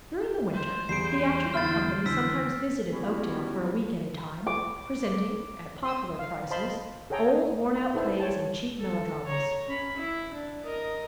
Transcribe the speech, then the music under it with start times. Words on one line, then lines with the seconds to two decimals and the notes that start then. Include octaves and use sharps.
During the winter, theatrical companies sometimes visited Oakdale for a week at a time, presenting, at popular prices, old worn-out plays and cheap melodramas.
0.53 C5
0.89 E2 G3 G#4 C7 D7
1.54 E2 D3 E4 F6 A6
2.06 F2 D3 E3 E6 B6
2.91 G3 B3 C#4 E4 F#4 G4
4.47 D6
5.84 C6 D#6 E6
6.19 F5
6.51 C5 D#5 F5 A5 B5 C6
7.10 G#4 A4 C#5 G5 A#5
7.93 D#4 E4 A4 B4 C5
8.20 C#5 G5 A5
8.79 A4
9.26 C#5 A#5
9.68 C#4 B5
9.98 E4
10.33 D4
10.65 A#4 D#5